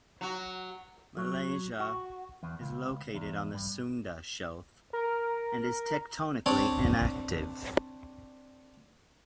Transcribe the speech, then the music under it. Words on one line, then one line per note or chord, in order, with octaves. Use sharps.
Malaysia is located on the Sunda shelf, and is tectonically inactive.
F#3 F#4
F#3
F#4
E2
C#2
E2
G2
A#4
C4 D4 C#5 D5